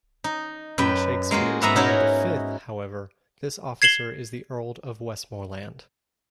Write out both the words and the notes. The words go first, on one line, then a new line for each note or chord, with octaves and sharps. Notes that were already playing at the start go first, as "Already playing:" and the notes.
In Shakespeare's "Henry the Fifth," however, this officer is the Earl of Westmoreland.
D#4
F#2 B4 G5
G#3 A#3 F4 F#4
G#2 G#3 B3 E5 F#5 A#5
C#4 D#4 E4 F#4 A#4 C#5
G#6 C7 E7 F#7 G7